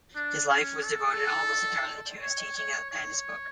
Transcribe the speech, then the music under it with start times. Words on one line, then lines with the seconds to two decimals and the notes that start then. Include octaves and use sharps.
His life was devoted almost entirely to his teaching and his books.
0.16 D4
0.49 C#4
0.84 A4
2.22 C#5
2.57 C#5
2.91 C#5